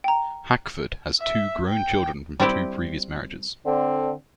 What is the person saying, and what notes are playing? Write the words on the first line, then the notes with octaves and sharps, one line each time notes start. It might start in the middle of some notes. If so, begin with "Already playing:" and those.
Hackford has two grown children from two previous marriages.
G5 A#5
E5
G5
G3 C4 E4 G4
D3 C4